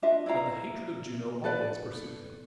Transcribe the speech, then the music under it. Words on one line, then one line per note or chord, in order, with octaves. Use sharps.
But the hatred of Juno always pursued him.
D4 F4 D#5 E5
E4 D5 F5 A#5
A4 B4 D5